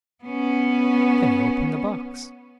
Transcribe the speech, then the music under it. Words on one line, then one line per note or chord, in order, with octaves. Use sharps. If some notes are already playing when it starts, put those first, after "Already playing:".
Then he opened the box.
B3 C#4